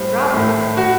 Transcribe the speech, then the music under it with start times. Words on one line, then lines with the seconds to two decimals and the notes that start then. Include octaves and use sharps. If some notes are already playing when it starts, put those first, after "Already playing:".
Drop, I say.'
Already playing: A2 G3 C5
0.34 A2 A3
0.77 F#4